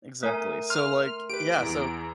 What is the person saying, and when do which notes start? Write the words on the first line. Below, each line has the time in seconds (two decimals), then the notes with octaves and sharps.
Exactly so like yeah, so
0.23 A3 A#4 G#5
0.70 C6 F6
1.30 G4 B4 D7
1.58 E2 E3